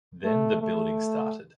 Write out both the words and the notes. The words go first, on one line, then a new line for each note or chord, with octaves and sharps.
Then the building started.
A3
A3